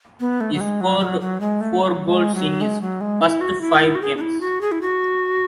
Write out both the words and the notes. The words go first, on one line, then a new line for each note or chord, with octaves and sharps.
He scored four goals in his first five games.
B3
A3
F#3
G#3
F#3
F#3
F#3
G#3
A3
F#3
G#3
F#3
G#3
F#3
G#3
E4
F#4
E4
E4
F#4
G#4
D4
E4
F#4
G#4
E4
F#4